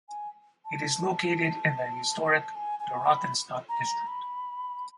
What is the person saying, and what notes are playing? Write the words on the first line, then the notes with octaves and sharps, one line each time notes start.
It is located in the historic Dorotheenstadt district.
G#5
A5
G#5
G#5
B5
A#5
B5